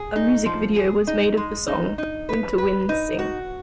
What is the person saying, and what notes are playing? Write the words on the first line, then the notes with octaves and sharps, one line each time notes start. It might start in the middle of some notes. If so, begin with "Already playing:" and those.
A music video was made of the song "Winter Winds Sing".
Already playing: G#4
D#4
F3
G#4
D#4
G#3
D#4
D#4
B4
B4
D#4
F#4